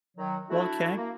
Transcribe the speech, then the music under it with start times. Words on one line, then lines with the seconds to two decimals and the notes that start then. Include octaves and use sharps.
Well 'kay.
0.17 D#3 F#3
0.50 A3 D4 E4 F#4
0.97 A#3